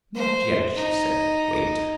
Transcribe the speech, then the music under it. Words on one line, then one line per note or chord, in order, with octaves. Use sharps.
"Not yet," she said; "wait."
C5
D#4